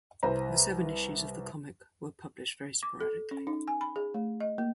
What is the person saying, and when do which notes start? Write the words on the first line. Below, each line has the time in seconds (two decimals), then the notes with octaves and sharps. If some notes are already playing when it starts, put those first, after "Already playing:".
The seven issues of the comic were published very sporadically.
0.23 C2 B4 C5 A#5
2.83 D6
3.01 A4
3.31 C#4
3.47 D#4
3.68 G#5
3.81 B5
3.96 G#4
4.14 A3
4.40 D#5
4.58 A#3